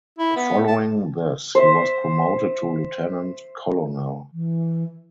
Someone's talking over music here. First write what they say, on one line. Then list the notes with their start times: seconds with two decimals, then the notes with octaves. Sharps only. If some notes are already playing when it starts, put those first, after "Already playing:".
Following this he was promoted to lieutenant colonel.
0.19 E4
0.36 B3
0.68 A5
1.55 C5 E5
4.33 E3